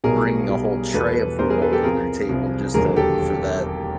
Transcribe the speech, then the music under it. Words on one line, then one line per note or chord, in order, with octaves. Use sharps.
bringing a whole tray of food over their table just to for that
B1 B2 G3 G#4 A#4
B1 B2 G3
E2 B2 G3 A4 B4
E2 B2 G3 A#4 C5
G#4 A#4
A4 B4
G4 A4
C2 C3 F3 G#4 A#4
C2 C3 F3
E1 D#2 D3 F#3 G#4 A#4
G4 A4